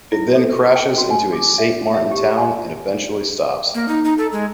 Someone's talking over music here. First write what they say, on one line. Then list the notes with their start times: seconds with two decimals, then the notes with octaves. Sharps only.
It then crashes into a Saint Martin town and eventually stops.
0.12 E4
0.35 A4
0.76 G5
0.98 F#4
1.10 G#5
1.33 D6
1.58 E5
1.94 E5
2.11 G4
2.37 G#5
3.74 A#3
3.88 D#4
4.04 D#4
4.18 A4
4.32 G#3